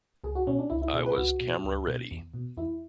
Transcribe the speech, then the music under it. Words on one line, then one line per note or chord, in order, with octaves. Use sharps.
I was 'camera ready'.
C#2 G#4
F#4
B2 C#4
D4
C#2 E4
E4
B2 G#4
B4
C#2 F#4
B2
C#2
B2
E2
B2
E2 E4